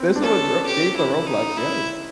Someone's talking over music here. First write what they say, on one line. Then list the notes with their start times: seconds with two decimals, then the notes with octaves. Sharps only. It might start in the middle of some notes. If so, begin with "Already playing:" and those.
There's so much Ro games on Roblox, yes.
Already playing: B3 C4
0.16 D4
0.22 C#4 A4
0.66 G4
0.97 E4
1.27 D#4
1.57 E4